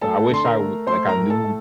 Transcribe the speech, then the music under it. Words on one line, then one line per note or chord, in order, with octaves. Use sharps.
So, I wish I would like, I knew
A3 A4 A5
D3 C6
A#4 A#5
A3
A3 C5 C6
A#4 A#5
A2
A4 A5
A3